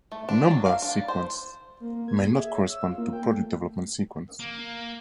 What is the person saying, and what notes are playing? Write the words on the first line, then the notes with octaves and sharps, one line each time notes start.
Number sequence may not correspond to product development sequence.
A3
D4
F#3
F5
D4
C5
A#3
A#3
G#6
G#4
E5
C#5
E6
F4
A#3
G5
A3
A#3